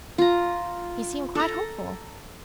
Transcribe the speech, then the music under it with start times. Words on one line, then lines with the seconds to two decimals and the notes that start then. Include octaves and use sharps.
He seemed quite hopeful.
0.18 F4 A#5
1.35 A4 A#5